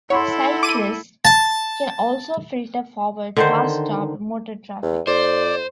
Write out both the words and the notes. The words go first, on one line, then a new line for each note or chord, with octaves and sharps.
Cyclists can also filter forward past stopped motor traffic.
E4 A4 C#5 F#5 B5 C6
D6 D#7
A5
D3 D#3 C5
E2
F2 C5 D5